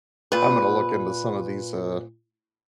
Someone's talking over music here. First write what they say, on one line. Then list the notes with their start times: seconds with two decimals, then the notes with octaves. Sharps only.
I'm gonna look into some of these, uh
0.32 A#2 B4